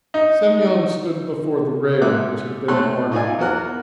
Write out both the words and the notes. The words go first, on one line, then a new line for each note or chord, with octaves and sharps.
Semyon stood before the rail which had been torn up.
D#4
G#2 E5 D6 F#6
A3 C4 A4 C#5 C6 F#6
D#4 F4 D5 G#5
E2 F#4 A#4 F#6